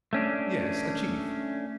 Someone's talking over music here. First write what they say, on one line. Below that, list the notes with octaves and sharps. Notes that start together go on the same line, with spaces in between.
"Yes, a chief."
A3 C#4 D4